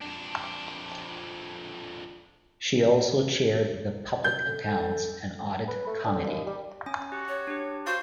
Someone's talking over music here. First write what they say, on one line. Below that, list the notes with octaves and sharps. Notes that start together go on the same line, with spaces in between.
She also chaired the Public Accounts and Audit Committee.
F2 D4
G6
A4
A4
B4
A3
D3
D#2
G3
C#4 G#5
F#4 G4
C#5
D4 G4
F#4 C5 F5 C#6 G6